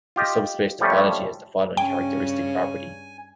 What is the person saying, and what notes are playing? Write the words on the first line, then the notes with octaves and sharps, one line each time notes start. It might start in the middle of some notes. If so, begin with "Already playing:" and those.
The subspace topology has the following characteristic property.
F4 G4 D#5
F3 G3 A3 C#4
G2 C#3 C#4 G5 G#5